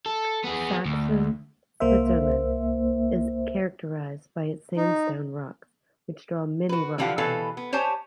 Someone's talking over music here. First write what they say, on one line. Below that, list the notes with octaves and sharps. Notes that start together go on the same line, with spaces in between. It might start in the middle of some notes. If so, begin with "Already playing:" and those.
Saxon Switzerland is characterized by its sandstone rocks which draw many rock climbers.
A4
B3 G#4
D2
C2 A#3 C5 E5
D#4
F#4 B4
D3 E3 F3 G4 F5 F#5
B2 E3 A4 B4 F5
B3
G4 C5 C#5 G#5 A5